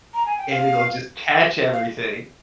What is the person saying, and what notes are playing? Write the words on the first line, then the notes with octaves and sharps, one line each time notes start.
And it'll just catch everything.
A#5
G#5
G5
F5
F5